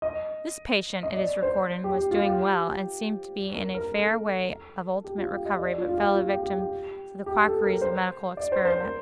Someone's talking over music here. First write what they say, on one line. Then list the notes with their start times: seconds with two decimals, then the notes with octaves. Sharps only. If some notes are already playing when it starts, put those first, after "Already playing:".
This patient, it is recorded, was doing well and seemed to be in a fair way of ultimate recovery, but fell a victim to the quackeries of medical experiment.
0.02 D#5
1.03 D#5
1.14 D5
1.43 C5
1.84 G4
1.97 G4
2.11 F4
2.25 G4
3.55 A#4
3.74 A#4
3.92 A4
5.04 G4
5.18 F4
5.31 G4
5.45 D#5
5.59 D5
5.78 F4
5.89 F4
5.97 G4
6.15 F4
6.28 G4
6.44 G4
6.57 G4
7.26 G4
7.45 A4
7.64 A#4
7.82 C5
8.37 D5
8.52 C5
8.65 C5
8.80 A#4